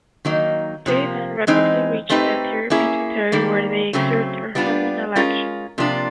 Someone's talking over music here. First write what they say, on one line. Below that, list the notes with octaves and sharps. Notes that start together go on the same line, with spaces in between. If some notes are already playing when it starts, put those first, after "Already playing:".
They then rapidly reach the anterior pituitary where they exert their hormonal action.
D#3 F#3 A#3 D#4
C3 F3 A#3
E3 G#3 C4 D#4
A3 C4 D#4 G4 B4
A#3 C#4 E4 G#4
D#3 G3 A#3
C#3 F#3 A3 C4
G3 B3 D4 F4
G#3 C#4 F4 A#4
C3 F3 A#3 D4 F4